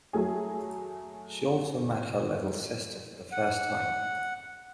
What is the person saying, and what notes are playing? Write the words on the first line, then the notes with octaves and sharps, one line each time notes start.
She also met her little sister for the first time.
F#3 A3 G#4
F#5